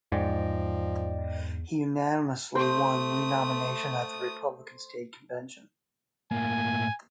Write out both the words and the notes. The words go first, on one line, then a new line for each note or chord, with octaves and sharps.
He unanimously won renomination at the Republican state convention.
E2 G#2 F3 D5 D#5 G5
A3 C5 D#6
A2 A#3 G#5